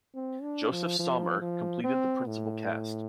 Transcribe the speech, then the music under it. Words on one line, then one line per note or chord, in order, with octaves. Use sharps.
Josef Sommer completed the principal cast.
C4
D4
F3
F3
F3
C4
A2